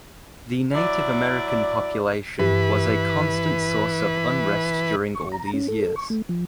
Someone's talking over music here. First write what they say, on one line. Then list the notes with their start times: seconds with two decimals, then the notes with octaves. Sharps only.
The Native American population was a constant source of unrest during all these years.
0.74 F#3 E4 D5
2.39 G2 E3 B4
5.15 C#6
5.32 A#5
5.54 C#4
5.68 A4
5.82 A4
5.96 C#6
6.10 A3
6.29 F3